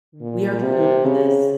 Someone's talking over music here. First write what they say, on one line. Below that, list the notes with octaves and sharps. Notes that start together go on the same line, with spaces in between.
We are too old for this
A#2
C3
C#3